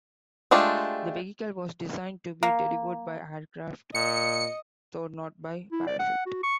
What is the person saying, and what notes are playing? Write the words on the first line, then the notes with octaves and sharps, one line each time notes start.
The vehicle was designed to be delivered by aircraft, though not by parachute.
G#3 A3 D4 F4 G4
A#3
A#2 D#5 C#7
E4
D5
F#5
F#4
C#6